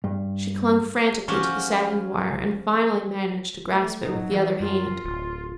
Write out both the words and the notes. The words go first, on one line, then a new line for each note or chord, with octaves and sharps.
She clung frantically to the sagging wire, and finally managed to grasp it with the other hand.
G2
F3 C#4 F#4 G4
A3
F#3 D#4
E3
F#2 F4
D1